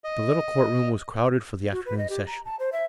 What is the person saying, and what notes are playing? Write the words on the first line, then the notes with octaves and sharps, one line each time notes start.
The little Court Room was crowded for the afternoon session.
D#5
F#4
B4
D#5
G4
A#5
A5
C5
E5